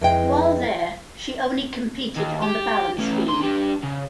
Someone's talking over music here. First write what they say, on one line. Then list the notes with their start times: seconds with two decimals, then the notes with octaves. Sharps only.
While there she only competed on the balance beam.
0.01 F2 E3 G#3 G5
2.17 D#2
2.42 G4
2.99 A2 C#4
3.28 A2 C6
3.42 D4 G4
3.83 C#3